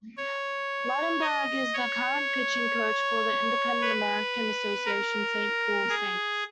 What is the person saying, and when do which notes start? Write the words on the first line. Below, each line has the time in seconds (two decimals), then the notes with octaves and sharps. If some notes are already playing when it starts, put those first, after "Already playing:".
Ligtenberg is the current pitching coach for the independent American Association's Saint Paul Saints.
0.17 C#5
1.21 D#5
1.74 C#5
3.81 B4
4.86 A#4
5.89 G#4